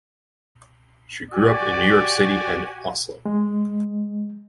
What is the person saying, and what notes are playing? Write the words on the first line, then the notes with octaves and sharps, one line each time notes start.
She grew up in New York City and Oslo.
F#4 G4 D5 G#5
G#3